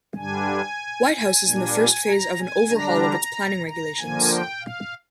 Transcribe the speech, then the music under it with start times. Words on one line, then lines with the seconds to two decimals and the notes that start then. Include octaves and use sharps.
Whitehouse is in the first phase of an overhaul of its planning regulations.
0.16 G2 D3 G3 D4 G#5
1.12 G#5
1.44 A#2 G3 A#3 D4
2.07 A#5
2.39 G#5
2.70 D3 G3 D4 A#5
3.66 A#5
3.97 D3 F3 A#3 G#5
4.30 G5
4.61 F5